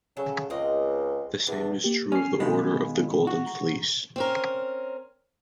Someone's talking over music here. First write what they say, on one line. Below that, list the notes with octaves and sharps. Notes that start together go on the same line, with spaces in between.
The same is true of the Order of the Golden Fleece.
C#3 F#3 C#4 A4
C#2 G#3 C4 D#5
E2 D4
A#3 G4
C#4 F6 C7
B2 D#3 G#3 F5 G#5 B5
F#4
A#5
C4 C#4 A#4